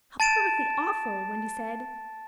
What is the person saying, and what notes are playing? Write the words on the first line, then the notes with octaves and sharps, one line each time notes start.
"How perfectly awful," Wendy said.
A5 A6 D7 E7